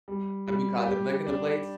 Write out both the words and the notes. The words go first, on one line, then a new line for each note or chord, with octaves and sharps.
Have you caught them licking the plates?
G3
G3
G4
D4